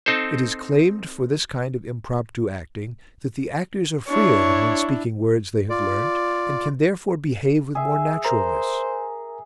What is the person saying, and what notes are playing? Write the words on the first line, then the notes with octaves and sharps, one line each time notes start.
It is claimed for this kind of impromptu acting that the actors are freer than when speaking words they have learnt, and can therefore behave with more naturalness.
C4 D#4 A4 C5
D4 E4 C#5
F4 D5
G#4 E5
A#4 C5 A#5